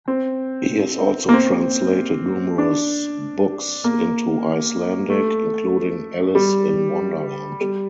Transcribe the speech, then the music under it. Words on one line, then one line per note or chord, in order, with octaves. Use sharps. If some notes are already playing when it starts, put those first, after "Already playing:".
He has also translated numerous books into Icelandic, including Alice in Wonderland.
C4
A#3
C4
D4
A#3
A3
G3
G3